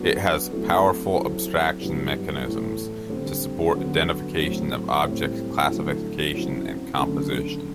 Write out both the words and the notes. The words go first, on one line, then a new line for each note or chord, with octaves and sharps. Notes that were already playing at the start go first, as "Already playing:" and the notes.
It has powerful abstraction mechanisms to support identification of objects, classification and composition.
Already playing: F#3 B3 D4 F#4
C3 F#3 A3 E4 A4
F#3 C4 E4 A4
G2 F#3 B3 E4 G4
A2 E3 A3 E4
D3 G3 C4
D3 F#3 B3 F#4
A2 F#3 A3 C4
A2 G3 C4
D3 F#3 A3 E4
F#2 F#3 C4 E4
F#2 D3 A3